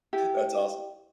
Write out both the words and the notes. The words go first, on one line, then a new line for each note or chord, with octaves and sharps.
that's awesome.
E4 G4